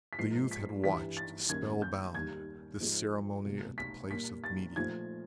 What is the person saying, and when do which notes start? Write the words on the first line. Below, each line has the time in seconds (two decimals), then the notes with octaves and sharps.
The youth had watched, spellbound, this ceremony at the place of meeting.
0.13 B6
0.19 G#2 F3 A#3 C7
0.51 B6
0.84 G2 E3 G3 B6
1.17 A6
1.49 F#2 D#3 G3 A#3 G#6
1.82 G6
2.14 D#2 D#3 G3 G#6
2.80 G#2 F3 G#3
3.45 C2 B2 F#3 A3
3.78 B6
4.10 A#2 G3 A#3 B6
4.44 A6
4.76 A#2 F3 A3 G#6